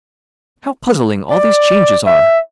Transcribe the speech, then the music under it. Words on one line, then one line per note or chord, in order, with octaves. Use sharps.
How puzzling all these changes are!
D5
E5